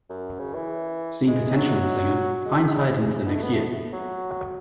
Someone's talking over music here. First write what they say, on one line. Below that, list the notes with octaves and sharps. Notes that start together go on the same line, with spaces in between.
Seeing potential in the singer, Hines hired him for the next year.
F#2
C#3
E3
G#3
F#3
G#3
G#3
B3
A3
B3
A3
F#3